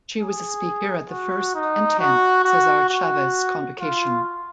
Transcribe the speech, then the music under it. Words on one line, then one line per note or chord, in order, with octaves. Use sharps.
She was a speaker at the first and tenth Cesar Chavez Convocation.
G#4
F#4
D#4
F#4
F#4
F#4
F4